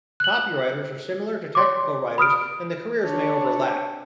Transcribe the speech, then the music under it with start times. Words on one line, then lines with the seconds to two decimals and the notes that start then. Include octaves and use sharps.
Copywriters are similar to technical writers and the careers may overlap.
0.20 F#6 F#7
1.55 C#5 C6 D6
2.18 B5 D#6 F6 D7
3.04 D4 C#5